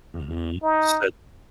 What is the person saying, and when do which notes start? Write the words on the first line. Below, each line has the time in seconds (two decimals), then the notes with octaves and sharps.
Mhm. Said
0.63 D#4